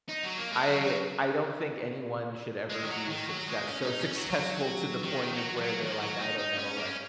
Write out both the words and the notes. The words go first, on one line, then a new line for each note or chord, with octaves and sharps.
I I don't think anyone should ever be a success so successful to the point of where they're like, I don't know, like,
D#4
F#3
A#3
G#3
F#3
F#3
G#3
D#3
F#3
D#3
F#3
G#3
C#4
C#4
D#4
C#4
F#3
F#3
D#3
F#3
D#3
F#3
D#3
F#3
D#4
D#4
C#4
A#3
C#4